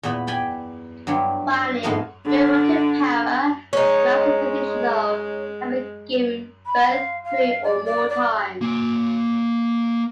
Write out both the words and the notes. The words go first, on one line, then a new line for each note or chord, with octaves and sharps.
Finally, "grand multipara" describes the condition of having given birth three or more times.
E2 A#2 B3 B5
D5 G5 G#5 B5
G2 F#3 G3 E4
F2 G#2 A3 B3 A#4 C6
D3
G#3 C#4 D#4
B5
F5
F5
D5
D5
D5
A#3 G#5